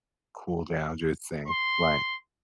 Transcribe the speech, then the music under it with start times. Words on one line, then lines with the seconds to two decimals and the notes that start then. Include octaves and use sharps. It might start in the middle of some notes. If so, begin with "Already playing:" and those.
Cool down, just seeing Right.
1.48 C6